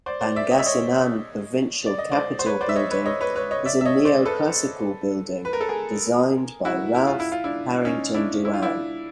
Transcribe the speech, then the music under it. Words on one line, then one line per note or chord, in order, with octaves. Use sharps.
Pangasinan Provincial Capitol Building is a neoclassical building designed by Ralph Harrington Doane.
C5 D5
C5 D5
D5 E5
C#5 D#5
E5
C#5 D#5
D5
D#5
C5 D5
C5
B4 C#5
C5 D5
E5
C#5 D#5
B4 C#5
C#5 D#5
B4 C#5
B4 C#5
C#5 D#5
D5 E5
E5
C#5 D#5
C5 D5
A4 B4
B4
A#4
A4
G#4 A#4
E4 F#4
E4
F4
E4
F4
D4 E4
C#4 D#4
D4 E4
E4
F4
D4 E4